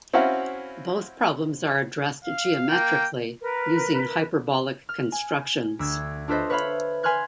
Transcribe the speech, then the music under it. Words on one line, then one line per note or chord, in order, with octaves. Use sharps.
Both problems are addressed geometrically using hyperbolic constructions.
C4 C#4 E4 F#4 F5 F#5
F5
A#3 G5
A#4 B4
F6
G#5
D2 E6 G#6
D4 F4 A4 B4 C5 D#5
B4 C#5 E5 F5 B5
B4 G#5 C6 F6 F#6 G#6